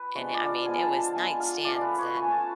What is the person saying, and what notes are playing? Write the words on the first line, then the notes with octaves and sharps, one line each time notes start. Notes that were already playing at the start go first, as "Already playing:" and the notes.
and, eh, I mean it was nightstands and
Already playing: B4
F3 G#3 B3 D4 C#5
D5
F5
F3 G#3 B3 D4 G#5
A5
A5
F3 G#3 B3 D4 G#5
F5
A3 C#4 F4 D5
B4
C#5
A3 C#4 F4 G#5
A5